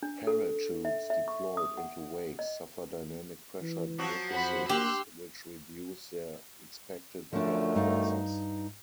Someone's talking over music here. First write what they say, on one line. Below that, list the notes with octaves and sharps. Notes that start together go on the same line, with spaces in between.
Parachutes deployed into wakes suffer dynamic pressure deficits which reduce their expected drag forces.
D4
A4
E5
E5
C#6
D#6
F#5
D#5
E3
F3 F#3 F#4
F2 C5 F#5 B5
A#3 G4 C6 E6 F#6
F#2 D3 F3 A3 D4
G2 D#4 F5